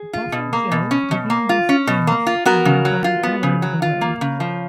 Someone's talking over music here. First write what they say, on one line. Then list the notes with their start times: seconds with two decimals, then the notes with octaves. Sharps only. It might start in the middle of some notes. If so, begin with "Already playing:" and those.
Fossil shells within this genus have been found all over the world.
Already playing: G#4
0.13 F4
0.32 B2
0.53 A#3
0.72 B2
0.91 C#4
1.11 B2
1.30 A#3
1.49 F4
1.69 C#4
1.87 B2
2.07 A#3
2.27 F4
2.46 B3 F#4 A#4
2.65 C#3
2.85 F#3
3.04 F4
3.23 B3
3.43 C#3
3.62 F#3
3.82 F4
4.01 A#3
4.21 C#3
4.40 F3